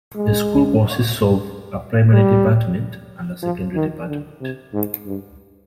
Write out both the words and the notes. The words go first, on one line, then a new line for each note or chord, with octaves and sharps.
The school consists of a primary department and a secondary department.
G#3
G3
F3
D#3
D3
C3
G#2
G2